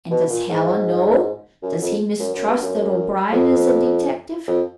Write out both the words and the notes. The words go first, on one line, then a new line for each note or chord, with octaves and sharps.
"And does Hallen know, does he mistrust that O'Brien is a detective?"
B2
A#2
G#2
F#2
F2
F#2
F#2
G2
F#2
F2
F2